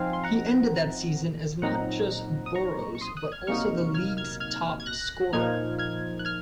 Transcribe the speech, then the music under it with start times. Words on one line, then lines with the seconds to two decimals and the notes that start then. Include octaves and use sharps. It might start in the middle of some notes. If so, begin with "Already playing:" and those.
He ended that season as not just 'Boro's but also the League's top scorer.
Already playing: F3 C4 D#4 F5 G#5
0.13 C6
0.24 F#5 A#5
1.62 A#2 F#3 C4 D#4 F#5 A#5
2.46 D#6
2.55 A#5 C#6
2.95 C#6
3.01 C6 D#6
3.17 D#6 F#6
3.32 F6 G#6
3.47 C3 F#3 A#3 D#4 C#6 F6
3.94 F6 G#6
4.17 F6 G#6
4.40 F6 G#6
4.80 G#6
4.86 F#6 A#6
5.33 A#2 F3 A#3 D#4 F6 G#6
5.79 F6 G#6
6.19 F#6
6.25 F6 G#6